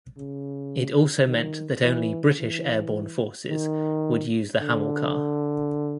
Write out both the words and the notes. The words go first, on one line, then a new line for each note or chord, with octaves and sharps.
It also meant that only British airborne forces would use the Hamilcar.
C#3
D#3
E3
E3
D#3
D3